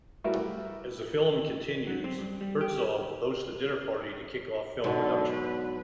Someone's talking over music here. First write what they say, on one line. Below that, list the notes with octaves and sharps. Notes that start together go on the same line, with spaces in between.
As the film continues, Herzog hosts a dinner party to kick off film production.
G3 A3 E4 F#4 A#4 B4
F#3
C4
G2
G3
G4
G#2 B2 D3 F#3
B4